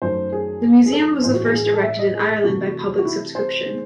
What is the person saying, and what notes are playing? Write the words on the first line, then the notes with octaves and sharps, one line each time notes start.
The museum was the first erected in Ireland by public subscription.
F#2 D#3 F#3 A3 C5
G#4
G#4
A4
A2 E3 G#3 C5
F#4
G#4
G#4
G#4
A4
E5
D#5
G#4
C3 E3 A3 F#4
F#4
E4
C5
D#3 G#3